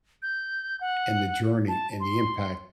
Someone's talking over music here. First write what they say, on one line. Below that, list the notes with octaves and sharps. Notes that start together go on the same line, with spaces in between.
in the journey and the impact
G6
F#5
A5
C6